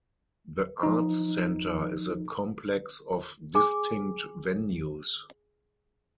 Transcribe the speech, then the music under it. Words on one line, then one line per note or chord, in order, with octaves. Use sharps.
The Arts Centre is a complex of distinct venues.
F3 D#4
G#4 G#5 D6